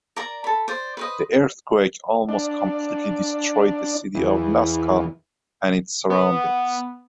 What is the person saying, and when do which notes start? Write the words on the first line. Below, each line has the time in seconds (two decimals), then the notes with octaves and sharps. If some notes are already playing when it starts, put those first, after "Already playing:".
The earthquake almost completely destroyed the city of Nasca and its surroundings.
0.16 A#4 D5 A#5
0.44 A4 B5
0.68 C5 D5
0.97 B4 C5 D#5
2.29 D4
4.15 E2
6.10 B3